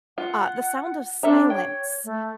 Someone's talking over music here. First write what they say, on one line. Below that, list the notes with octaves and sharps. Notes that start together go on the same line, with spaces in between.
uh, The Sound of Silence.
F4 F#5
D4 A4 E5 A#5
C#5 G5
A3